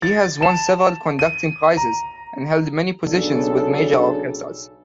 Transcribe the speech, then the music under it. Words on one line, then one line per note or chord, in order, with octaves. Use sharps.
He has won several conducting prizes and held many positions with major orchestras.
A6
A5 E7
D#7
A#5
B1 C#3 D4 A4